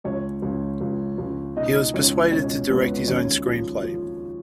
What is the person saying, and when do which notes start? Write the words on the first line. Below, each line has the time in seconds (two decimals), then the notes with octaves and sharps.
He was persuaded to direct his own screenplay.
0.04 C#2 C#4 C#5
0.42 C#2
0.81 C#2
1.18 C#2
1.56 B2 D#4 D#5
1.94 C#2 C#4 C#5
2.32 B2 C#4 C#5
2.69 C#2 B3 B4
3.08 D#2 C#4 C#5
3.45 F3
3.83 F3